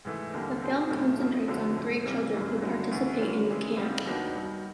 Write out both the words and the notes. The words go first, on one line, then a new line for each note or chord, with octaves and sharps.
The film concentrates on three children, who participate in the camp.
G#2 E3 A3
D#2 D3 G3 A#3
B2 G#3 C4
B1 A2 F3 A3 C4
F2 C#3 F3
F#1 F2 D3 F#3 A3
G#1 G#2 F3
C3 E3 G3 A#3
G1 F#2 C#3 E3
G2 D3 F#3 A3
D2 C#3 E3
G2 D3 F#3 A#3 C#4
C#3 E3 G#3
C#2 C3 D#3 G3 B3
D#2 D#3 F#3 B3 D4
G2 D#3 F#3